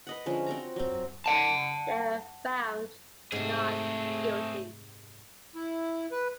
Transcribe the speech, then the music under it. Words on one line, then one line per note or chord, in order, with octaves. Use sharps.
They were found not guilty.
B4 D#5 F#5
D3 F3 G#3 C#4
C4 F#4 A#5
F#3 C4
F#5 A5
G#2 C3 A3 C4 G#4
E4
B4